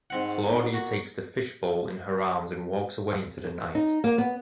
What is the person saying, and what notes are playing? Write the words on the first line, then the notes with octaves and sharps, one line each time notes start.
Claudia takes the fishbowl in her arms and walks away into the night.
G#2 C4 F#5
B2 A#3
F#4
D#4
A#3
B3